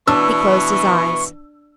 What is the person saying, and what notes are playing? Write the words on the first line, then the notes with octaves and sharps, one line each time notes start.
He closed his eyes.
B2 E3 D4 C#6 E6